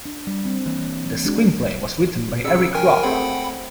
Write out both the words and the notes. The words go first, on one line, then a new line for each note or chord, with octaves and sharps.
The screenplay was written by Eric Roth.
D4
G3
C4
E3 A#3
G#3 D4 F#4
B1 C#3 E6 C#7
A#4 G5 G#5
A3 C4 G#4 F#5 G5 B5